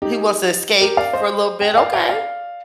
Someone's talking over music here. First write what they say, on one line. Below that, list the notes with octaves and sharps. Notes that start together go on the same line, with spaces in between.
He wants to escape for a little bit, okay.
D#4 G4
G4 A#4
D5 F5
C5 D#5
D#5 G5
D#5
D5 F5
D5 F5
D5 F5